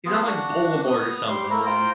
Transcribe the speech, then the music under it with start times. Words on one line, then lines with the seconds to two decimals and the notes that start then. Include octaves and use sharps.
he's not, like, Voldemort or something, man.
0.06 B3 F4 G#4
0.27 D4 F#4 F#5
0.87 B3 D#6
1.28 G3 C6
1.51 A3 A#3 E4 A#5
1.66 F4 C5 G5 A#5